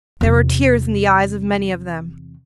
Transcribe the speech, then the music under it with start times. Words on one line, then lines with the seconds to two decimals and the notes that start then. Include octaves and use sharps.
There were tears in the eyes of many of them.
0.21 E2 C3